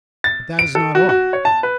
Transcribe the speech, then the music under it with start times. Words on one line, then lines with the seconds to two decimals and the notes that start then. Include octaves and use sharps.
But that is not all.
0.24 A6
0.59 D7
0.75 A4
0.95 F#4
1.09 F#4
1.33 C#5
1.45 A5
1.63 B4